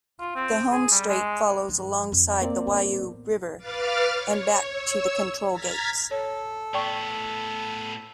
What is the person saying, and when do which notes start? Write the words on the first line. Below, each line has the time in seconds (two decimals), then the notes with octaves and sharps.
The home straight follows alongside the Waiau River and back to the Control Gates.
0.20 F4
0.36 C4
0.72 G#4
0.91 G3
1.09 G#3
1.68 G2 F3
2.12 F2
2.42 A#3 C4 D5
2.67 A1 B3
3.57 B4 F5 D6 F6 A6
4.12 C#5
4.68 C#5 E6
5.51 A#5 F6 G#6 A6 B6
6.11 A4 C#5
6.74 A2 B3 D5 G5 C#6